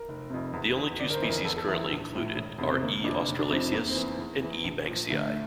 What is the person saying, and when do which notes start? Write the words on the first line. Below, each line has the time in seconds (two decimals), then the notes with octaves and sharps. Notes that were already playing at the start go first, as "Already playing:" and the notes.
The only two species currently included are "E. australasius" and "E. banksii".
Already playing: A#4
0.08 F1
0.30 F2 C3
0.53 E2
0.76 E3
1.00 G1 D5
1.10 A#4
1.15 C5
1.22 F2 E3
1.30 A#4
1.44 E2 A4
1.57 A4
1.67 E3 E4
1.91 A#1
2.13 A2 F3
2.35 E1
2.58 E2 C3
2.71 C4
2.81 G1 A#3
3.04 F2 C3 F3 D4
3.27 F1
3.39 D4
3.50 F2 C3 F3 C4
3.72 E2 A#3
3.88 C4
3.95 E3
4.19 E2
4.42 E3
4.64 A#1
4.87 A#2 F3
5.09 D2 A3
5.24 A3